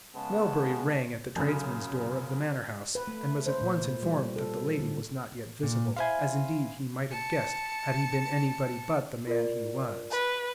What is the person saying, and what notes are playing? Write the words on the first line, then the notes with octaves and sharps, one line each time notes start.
Melbury rang at the tradesmen's door of the manor-house, and was at once informed that the lady was not yet visible, as indeed he might have guessed had he been anybody but the man he was.
C#3 G#3 B3 A5
F#2 C#3
B4
A3
C5
A#2
G3
A4
D3
A#2
E4 C5 F5 G#5 C6
A5 C#7
F4 A#4 D5
B4